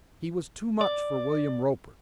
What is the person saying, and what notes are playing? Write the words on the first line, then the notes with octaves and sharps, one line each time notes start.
He was too much for William Roper.
D5